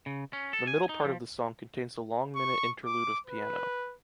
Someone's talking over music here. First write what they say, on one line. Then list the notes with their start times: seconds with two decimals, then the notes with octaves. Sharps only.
The middle part of the song contains a long minute interlude of piano.
0.06 C#3
0.33 C#4
0.53 A4
0.67 G#5
0.89 D#4
1.05 F3
2.36 C#6
2.86 D6
3.27 B4